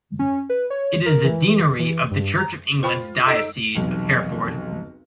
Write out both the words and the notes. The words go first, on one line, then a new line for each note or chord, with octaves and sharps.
It is a deanery of the Church of England's Diocese of Hereford.
C#4
B4
C#5
A#4
E3
E3
G2
A#5
F4 C5 G5 B5
D#4 A4 D#5 E6 D7
F1 B1 E2